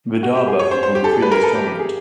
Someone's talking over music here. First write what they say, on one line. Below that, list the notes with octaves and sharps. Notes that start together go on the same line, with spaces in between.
Vidarbha had won the previous tournament.
F#4
G4
G#4
C#5
C5
C5
G4
A4
G#4
B4
A#4
A4
G4
G4
G#4